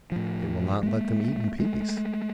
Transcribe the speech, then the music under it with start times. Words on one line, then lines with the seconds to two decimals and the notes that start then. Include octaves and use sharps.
It will not let them eat in peace.
0.12 A2 F3
0.83 G#3 A#3
1.60 G#3 A3